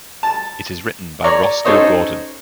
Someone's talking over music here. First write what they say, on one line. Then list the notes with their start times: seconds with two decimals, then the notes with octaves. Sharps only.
It is written by Rosco Gordon.
0.23 A5
1.24 C#5 D5 A#5
1.65 C#4 D#4 A4 C5 C#5 D#5